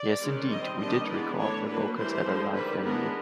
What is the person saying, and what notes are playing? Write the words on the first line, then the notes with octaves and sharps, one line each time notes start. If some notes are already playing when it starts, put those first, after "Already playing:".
Yes indeed, we did record the vocals at a live venue.
Already playing: D5
D#3 G#3 C#4
G3 C4 D#5
D#3 G3 A#3 D4 D#5
E3 G#3 B3 D5
E3 A3 D4 C#5
F#3 A#3 D4 B4
E3 G3 C4 C5
D3 F3 G#3
D#3 G3 C4 B4
E3 G#3 B3 D4 A#4